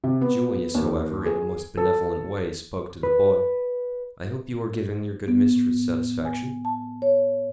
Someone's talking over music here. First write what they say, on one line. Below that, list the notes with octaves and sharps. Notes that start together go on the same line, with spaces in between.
Julius, however, in a most benevolent way spoke to the boy--"I hope you are giving your good mistress satisfaction?"
C3
B3
D#2
G#4
A4
B4
B3
A2
G#5
A5
C#5